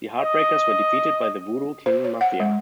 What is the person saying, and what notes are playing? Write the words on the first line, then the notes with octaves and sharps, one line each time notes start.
The Heartbreakers were defeated by the Voodoo Kin Mafia.
D#5
C5
C#5
F#5
G#3